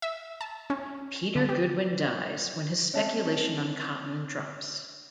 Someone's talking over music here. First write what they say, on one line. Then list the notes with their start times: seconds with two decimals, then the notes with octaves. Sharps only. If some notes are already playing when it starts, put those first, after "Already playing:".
Peter Goodwin dies when his speculation on cotton drops.
0.02 E5
0.41 A5
0.70 C#4
1.35 D3
1.49 G4
2.94 C4 C#4 C#5 E5 A5